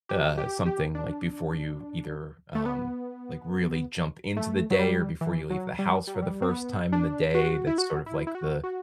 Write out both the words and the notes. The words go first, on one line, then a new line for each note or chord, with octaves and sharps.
uh, something, like, before you either, um, like, really jump into the day or before you leave the house for the first time in the day that's sort of like the
G4
G4
G4
D4
A3
B3
A3
F#3
G3
E3
F#3
G3
G3
F#3
G3
C4
B3
D4
F#4
E4
F#4
E4
E4
F#4
F#4